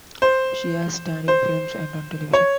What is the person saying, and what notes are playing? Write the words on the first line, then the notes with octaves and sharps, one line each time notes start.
She has starred in films and on television.
C5
C5
C#5